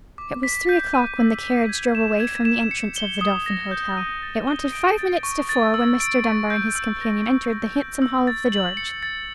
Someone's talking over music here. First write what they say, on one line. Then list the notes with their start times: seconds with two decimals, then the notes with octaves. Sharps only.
It was three o'clock when the carriage drove away from the entrance of the Dolphin Hotel: it wanted five minutes to four when Mr. Dunbar and his companion entered the handsome hall of the George.
0.18 D6
0.43 B6
0.69 G6
0.94 D#7
1.19 E6
1.44 B6
1.69 G#6
1.95 E7
2.20 G#6
2.45 E7
2.71 C#7
2.96 G7
3.21 D#6
3.46 A#6
3.71 G6
3.97 D#7
4.22 A6
4.47 G7
4.73 D7
4.99 A6
5.23 C#6
5.49 A6
5.74 E6
6.00 D7
6.24 C#6
6.50 G6
6.75 E6
7.01 A#6
7.26 E6
7.51 A#6
7.76 G6
8.02 E6
8.27 A6
8.52 F#7
8.77 C#7
9.03 A6